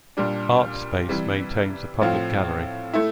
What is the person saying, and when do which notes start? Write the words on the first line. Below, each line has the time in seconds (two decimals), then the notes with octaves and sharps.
Artspace maintains a public gallery.
0.17 A#2 G3 D4
1.09 C3 E3 G3
2.01 A2 F3 C4 F4
2.93 A3 E4